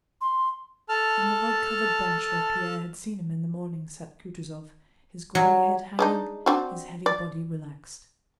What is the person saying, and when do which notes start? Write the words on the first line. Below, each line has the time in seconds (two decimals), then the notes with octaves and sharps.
On the rug-covered bench where Pierre had seen him in the morning sat Kutuzov, his gray head hanging, his heavy body relaxed.
0.21 C6
0.89 A4 A5 F6
5.35 F#3
5.99 G#3 D4 D#4
6.46 C4 D4 F#4
7.06 D5